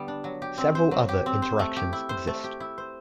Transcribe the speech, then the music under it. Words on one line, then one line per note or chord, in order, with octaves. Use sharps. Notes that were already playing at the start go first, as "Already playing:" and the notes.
Several other interactions exist.
Already playing: D3 G3 B3
D4
F#3
G4
C4
C5
F#3
G4
C4
C5
A3
G4
E4
C5
A3
G4
E4
C5